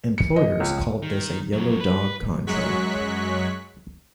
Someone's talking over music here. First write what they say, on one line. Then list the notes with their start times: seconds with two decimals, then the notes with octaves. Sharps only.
Employers called this a yellow-dog contract.
0.18 C#7
0.36 D#5
0.60 C#2
1.02 D#3
1.53 F2 F#3
1.80 B4
2.47 F#2 F#3 G#3 C#6 F#6 B6